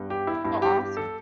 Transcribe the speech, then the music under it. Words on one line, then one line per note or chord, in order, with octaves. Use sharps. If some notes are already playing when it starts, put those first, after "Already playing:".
Oh, awesome.
Already playing: G2 G3 B3
G4
E4
G2 G3 B3 E4
G4
G4
A4